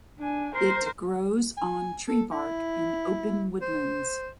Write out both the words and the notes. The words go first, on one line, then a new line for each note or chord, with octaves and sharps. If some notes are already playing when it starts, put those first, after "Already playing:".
It grows on tree bark in open woodlands.
D4 G#5
A#4 C5 C6
G#5
A4
E4
C5